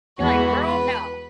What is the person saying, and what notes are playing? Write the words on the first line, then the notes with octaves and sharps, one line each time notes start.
You're, like, "Girl, no."
E2 E3 G#3 B3 F#4
B4